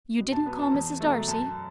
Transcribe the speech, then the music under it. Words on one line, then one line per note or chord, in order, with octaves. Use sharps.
"You didn't call Mrs. Darcy?"
B2
A5
F#3 B3
A5
E2
B2 F#3 A3
F#2 A5